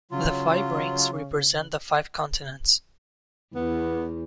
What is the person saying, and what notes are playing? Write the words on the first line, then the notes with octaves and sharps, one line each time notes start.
The five rings represent the five continents.
C#3 F#3 F4
E2 B3